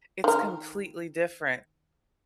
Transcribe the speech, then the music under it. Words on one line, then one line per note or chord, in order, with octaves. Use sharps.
it's completely different
D#3 A#4